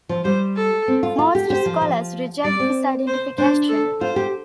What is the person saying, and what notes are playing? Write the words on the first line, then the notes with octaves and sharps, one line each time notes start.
Most scholars reject this identification.
F3
G3 C5
A4
C4
F4
F4
G4
G4 C5
F3
F3
G3 D5
C4
C5
D4 C5
A4
F4 C5
G4